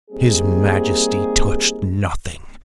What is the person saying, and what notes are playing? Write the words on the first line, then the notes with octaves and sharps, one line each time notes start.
His Majesty touched nothing.
G3 A#3 C4 D#4 G4 G#4